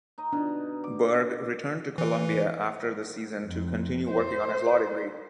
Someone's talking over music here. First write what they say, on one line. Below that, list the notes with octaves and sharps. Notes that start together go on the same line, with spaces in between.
Berg returned to Columbia after the season to continue working on his law degree.
D#4 D#5
B2 D4 D#4
D6
E3
F2
C5